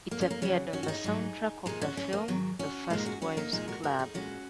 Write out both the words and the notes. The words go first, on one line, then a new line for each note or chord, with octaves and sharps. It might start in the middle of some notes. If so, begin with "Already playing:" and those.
It appeared on the soundtrack of the film "The First Wives Club".
A#3
C#4
A#3
F#2 C#3 F#3 C#4
C#4 F#4
F#4
D#4 G#4
G#2 F#3
A#2 G#3 D#4 G#4
C#4 F#4
C#4
A#3
G#2 D#3 F#3
C#4 F#4
A#2 G#3 A#3 D#4
C#4 F#4
C#4 F#4
A#3 D#4
A#2 G#3 D#4 G#4
F#4 A#4
F#4 A#4
D#4 G#4
A#2 G#3 C#4 F#4